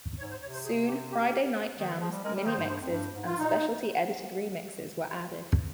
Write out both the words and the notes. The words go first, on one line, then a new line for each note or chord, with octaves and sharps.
Soon Friday Night Jams, Mini Mixes and specialty edited remixes were added.
G#2 C#5
C5
C3 C#5
C5
G#4
G4
G4
D#3
F3 G#4
G3
G#3 A#4
G3
D#3 C5
G#2
G2
F2
G2
G#2
F4
A#2 D#4